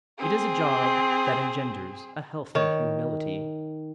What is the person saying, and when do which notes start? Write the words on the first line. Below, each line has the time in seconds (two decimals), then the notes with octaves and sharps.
It is a job that engenders a healthy humility.
0.19 C4 G#4
2.55 D#3 C#5